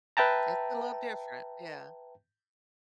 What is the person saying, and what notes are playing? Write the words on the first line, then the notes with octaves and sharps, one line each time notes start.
It's a little different, yeah.
B4 E5 G5 A5 A#5